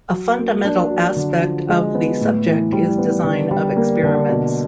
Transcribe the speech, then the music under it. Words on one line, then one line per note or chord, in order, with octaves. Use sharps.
A fundamental aspect of the subject is design of experiments.
F#3
A#3
D4
F#3
D3
F3
G#3
B3
A2
E3
G3
B3
D3
G3
A#3
D3
B2